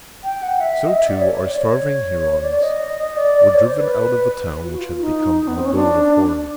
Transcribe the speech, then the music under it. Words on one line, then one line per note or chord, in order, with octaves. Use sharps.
So, too, our starving Hurons were driven out of a town which had become an abode of horror.
G5
F#5
E5
D#5
E5
D5
C#5
C#5
D5
C#5
D5
D#5
D5
C#5
C5
B4
F4
F#4
F4
D#4
B3
C4
C#4
D4